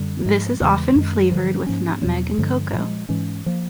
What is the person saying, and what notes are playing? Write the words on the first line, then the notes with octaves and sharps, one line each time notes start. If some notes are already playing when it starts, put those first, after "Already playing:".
This is often flavoured with nutmeg and cocoa.
Already playing: F#2 D3 G3
G#2 F3 G#3
E2 C#3 E3 G#3
F#2 D#3 G#3
G2 D3 F3
G#2 F3 A#3 C#4
E2 B2 F#3
G2 D3 F3 G#3
A#2 F3 G#3
G#2 E3 G#3 C#4
F3 A#3